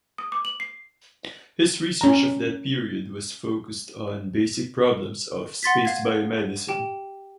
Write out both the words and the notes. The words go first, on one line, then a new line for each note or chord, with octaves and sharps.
His research of that period was focused on basic problems of space biomedicine.
D#6
D6
F#7
C7
C#4 A#5
F#5 C6 A6 B6
F5 G#6
G4 G5